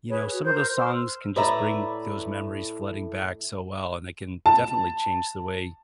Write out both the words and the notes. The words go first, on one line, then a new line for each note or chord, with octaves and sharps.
you know, some of those songs can just bring those memories flooding back so well, and they can definitely change the way
G#4 B4 C#5
F#4
A#4 C5 G6
C5 C6 E6 F6
A2 B4 D5 E5 A#5
A5